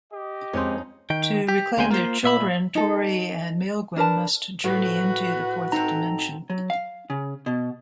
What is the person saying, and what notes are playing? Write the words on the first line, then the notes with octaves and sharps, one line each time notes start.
To reclaim their children, Tory and Maelgwyn must journey into the fourth dimension.
G4 D#5
F2 G#3 C4 C#4 D#4 C6
D#3 G5
G4
D2 G#3 C4 G5 G#5
A#3 F4 C5
A#2 E5 B5
D#4 A4
D4 A#4 B4 A5
A2 F#4 B4
C4 D#4 A4 C5 A#5
F#3
F5
C#3
B2